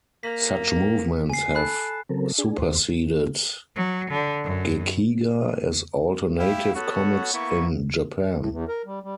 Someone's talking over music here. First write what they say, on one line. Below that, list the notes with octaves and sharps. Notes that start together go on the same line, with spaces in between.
Such movements have superseded gekiga as alternative comics in Japan.
A#3 B6
G#5 C7
A4 B5 F#6
C#3 F#3 C4 A4 A#4
D4 G#4
D#2 C5
F#3
D3
F#2
E4 G4 F5
B3 F#4 A4 C#5 F#5
A#3 B3 E4 C#6
A2
E2
A#4
G3
G3